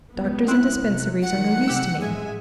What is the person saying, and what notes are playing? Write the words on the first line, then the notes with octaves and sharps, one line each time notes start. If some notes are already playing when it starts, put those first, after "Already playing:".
Doctors and dispensaries are no use to me.
C#2 B3
C4 E4 F#6
C3
D#3 F3 F#3 F#5
C3 G4 E6
A1 G#3 E5 G#5